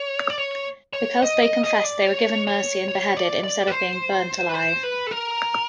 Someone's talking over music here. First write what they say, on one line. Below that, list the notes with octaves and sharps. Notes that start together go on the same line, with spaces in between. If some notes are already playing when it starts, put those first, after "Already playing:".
Because they confessed, they were given mercy and beheaded instead of being burnt alive.
Already playing: C#5
D5
C#5
C#5
D#5
D#5
D#5
D5
C#5
C#5
C#5
D5
D5
B4
C5
B4
C5
B4
A4
A#4